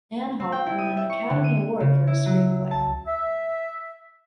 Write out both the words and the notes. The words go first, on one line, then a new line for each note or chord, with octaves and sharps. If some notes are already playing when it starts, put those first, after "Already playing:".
Anhalt won an Academy Award for his screenplay.
C4
G5
E4
D#6
E5
C#6
D3
D#7
C#3
E4
F#3
A5
E5